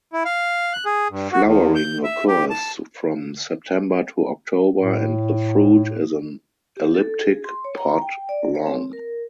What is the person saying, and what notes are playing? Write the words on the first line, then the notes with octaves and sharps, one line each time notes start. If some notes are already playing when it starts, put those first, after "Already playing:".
Flowering occurs from September to October and the fruit is an elliptic pod long.
E4
F5
F#6
G#4
G2
F#4
E2
G6
E5
G4
A5
A2
G4
A4
G#4
C6
C#5
A#5
G5
D5
C#5
C4
A#4